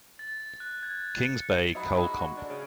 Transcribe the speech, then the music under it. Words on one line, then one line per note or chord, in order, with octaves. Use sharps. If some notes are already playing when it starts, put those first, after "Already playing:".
Kings Bay Kull Comp.
A6
F#6
G#6
C#7
F#3 D#4 E5 B5
G#2 G#3 F#4
D2 D4
C#3